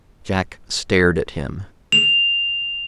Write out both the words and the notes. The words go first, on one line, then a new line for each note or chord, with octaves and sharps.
Jack stared at him.
F7